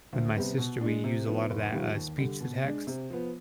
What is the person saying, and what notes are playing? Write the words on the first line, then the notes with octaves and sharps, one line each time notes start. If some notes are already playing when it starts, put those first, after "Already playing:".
With my sister, we use a lot of that, uh, speech to text
D2
C3 G3 B3
B2
G#3 D4
C3
F3 B3 D#4
F1
F2 D#3 G3
D#2
D3 G3
B2
G#3 D4
C3
F3 B3